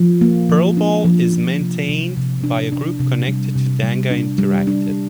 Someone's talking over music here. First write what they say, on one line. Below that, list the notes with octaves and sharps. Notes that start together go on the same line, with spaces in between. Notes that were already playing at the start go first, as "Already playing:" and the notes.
Perlbal is maintained by a group connected to Danga Interactive.
Already playing: F3
A#3
F3
D4
F3
F3
C3
C3
C3
D4
D4
C3
G3
C3
G3
D4
G3
D4